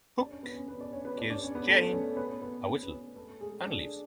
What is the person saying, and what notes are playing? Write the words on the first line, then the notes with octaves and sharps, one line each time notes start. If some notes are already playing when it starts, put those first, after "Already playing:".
Hook gives Jane a whistle and leaves.
D4 D5
C#4 C#5
B3 B4
C#4 C#5
B3 B4
D4 D5
C#4 C#5
B3 B4
D4 D5
D4 D5
C#4 C#5
B3 B4
A3 A4
C#4 C#5
B3 B4
B3 B4
C#4 C#5
B3 B4
A3 A4
G#3 G#4
D4